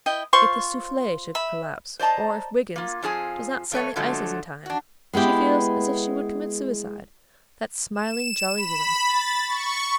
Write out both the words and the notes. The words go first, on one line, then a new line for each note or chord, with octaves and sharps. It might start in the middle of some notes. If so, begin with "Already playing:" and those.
If the SOUFFLE should collapse, or if Wiggins does not send the ices in time--she feels as if she would commit suicide--that smiling, jolly woman!
E4 D#5 G5
F4 C5 C6 C#6
E5 B5
C5 D5 D#5 A5 A#5
A#3 F4
F2 F3 G#4 G#5
F2 A3 B4 C#5
D3 F3 F#3 G#3 A3
D4 F#4
G#3 B3 E4 G4
E7
B5
A6
C#6